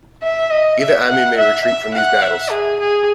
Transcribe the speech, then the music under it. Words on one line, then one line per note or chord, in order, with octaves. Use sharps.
Either army may retreat from these battles.
E5
D#5
E5
F#5
E5
E5
F#5
E5
G#4
G#4